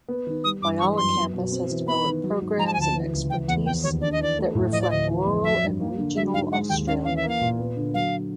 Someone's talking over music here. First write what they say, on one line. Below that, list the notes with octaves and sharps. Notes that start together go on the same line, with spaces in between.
Whyalla campus has developed programs and expertise that reflect rural and regional Australia.
B3
D#3
G3 D#6
G2 D6
E3 C#6
F#2 C6
B3
B2
C4
E3
B3 B5
D#3
F#3
G#2
F3 A#5
A5
G#5
D2 A5
E3
C#2
E3 G5
E2 F#5
F3 G5
D#2 C#5
D4 D5
D#5
E3 D5
A3
A2
F3 D#5
D5
D2 D#5
E3
F2
F#3 E5
G2
A#3
D3
F#3 E5
G#2 F5
G#3 F#5
D#2 G5
C#4 F5
E3 F5
E5
A#3 F5
A#2
B3
D3
F#3 F5